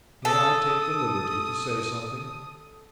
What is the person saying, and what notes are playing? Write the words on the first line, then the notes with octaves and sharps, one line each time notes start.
'May I take the liberty to say something?'
A4 D#6